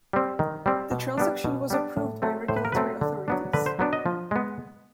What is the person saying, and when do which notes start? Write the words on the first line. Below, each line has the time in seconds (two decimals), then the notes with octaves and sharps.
The transaction was approved by regulatory authorities.
0.13 G3 C4
0.39 D#3
0.66 G3 C4
0.91 B2
1.18 G3 B3 D4
1.44 B2
1.70 G3 B3 D4
1.97 A2
2.22 F#3 A3 C4
2.48 A2 C5
2.56 B4
2.65 A#4
2.72 F#3 A3 C4 B4
3.01 D3
3.28 F#3 B3 D4
3.53 D3 B4
3.66 C5
3.79 F#3 B3 D4
3.93 D#5
4.06 F3
4.31 G#3 B3